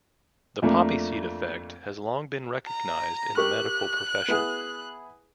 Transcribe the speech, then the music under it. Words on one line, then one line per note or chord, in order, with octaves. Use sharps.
The poppy seed effect has long been recognised in the medical profession.
F2 A3 A#3 D4
A#5
G4 A#4 C#6 F#6
B3 E4 G#4